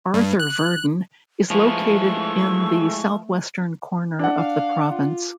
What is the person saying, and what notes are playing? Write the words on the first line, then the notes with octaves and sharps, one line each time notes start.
Arthur-Virden is located in the southwestern corner of the province.
G2
F#6
F3 G#3 A3 E4 B4 C#6
D4 F#5
F5
F4